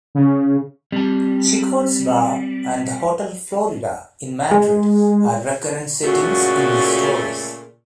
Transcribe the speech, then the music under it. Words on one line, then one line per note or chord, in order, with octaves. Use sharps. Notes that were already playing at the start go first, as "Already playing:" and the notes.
Chicote's bar and the Hotel Florida in Madrid are recurrent settings in these stories.
C#3
G3 C4 A5
G#3
A#2 C#3 A3 F#4